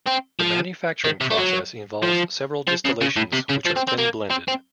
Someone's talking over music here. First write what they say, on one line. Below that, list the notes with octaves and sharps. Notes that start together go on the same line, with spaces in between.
The manufacturing process involves several distillations which are then blended.
C4
F3
D#3
C3
A3
F#3
F3
F3
C#3
C#3
A2
C3
C#3
F3
C4
C4
A#3
C4
C4